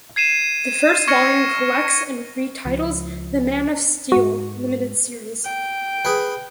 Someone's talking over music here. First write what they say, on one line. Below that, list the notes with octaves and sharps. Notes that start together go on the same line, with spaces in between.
The first volume collects and retitles "The Man of Steel" limited series.
G#6 C7 D#7 E7
C#6 F6 G#6 A#6 C#7 D#7
C#2 F3
G#2 G#3 F#4
G5
G#4 B4